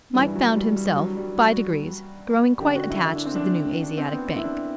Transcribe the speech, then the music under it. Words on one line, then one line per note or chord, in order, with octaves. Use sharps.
Mike found himself, by degrees, growing quite attached to the New Asiatic Bank.
G2 E3 G3
F#3
G3
G3
F#3
G3
F#4
F#2 D3 G4
F#4
E4
E4
D4
C4
D4
D4
C4
B3
C4
E4
D4